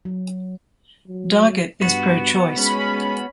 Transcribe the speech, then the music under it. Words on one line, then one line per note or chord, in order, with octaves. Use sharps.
Doggett is pro-choice.
F#3
F#3
G2 B3 F#4
G#3 C#4 B5